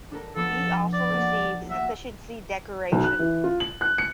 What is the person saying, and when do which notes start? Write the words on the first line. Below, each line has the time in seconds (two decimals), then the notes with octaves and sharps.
He also received an Efficiency Decoration.
0.11 D4 A4 A#4
0.36 F3 B3 A4 D6
0.94 D5
1.10 A3 A#3 F#4
1.70 F#4 E5
2.92 B1
3.04 F#6
3.19 E3
3.44 F4
3.60 F#7
3.81 F#6
3.98 C#7